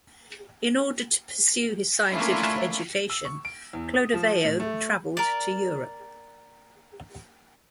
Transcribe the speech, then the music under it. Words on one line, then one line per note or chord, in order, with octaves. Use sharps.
In order to pursue his scientific education, Clodoveo traveled to Europe.
A3 A#3 C#4 D4 E4 F4
E6
C#6
D7
E2
D#6
F3
A2
A3
A#4 D5